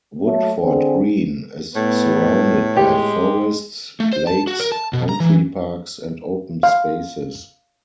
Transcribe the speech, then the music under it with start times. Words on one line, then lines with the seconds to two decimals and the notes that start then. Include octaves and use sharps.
Woodford Green is surrounded by forests, lakes, country parks and open spaces.
0.25 F#3 A3
0.64 D3 C4 G#4
1.76 A2 B3
2.76 G#3 G4
4.00 A3
4.13 C5
4.27 A5
4.47 F#4
4.60 A#4
4.72 A5
4.93 B2
5.09 A#5
5.20 E3
6.63 F5